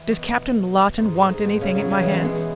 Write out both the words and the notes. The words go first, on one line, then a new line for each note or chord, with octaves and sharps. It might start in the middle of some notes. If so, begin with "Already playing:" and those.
"Does Captain Lawton want anything at my hands?"
Already playing: E3
B2
G#2
G#2
G#2
B2
C#3
C#3 F#3
C#3 F#3
B2 E3
E3 G#3
B2 E3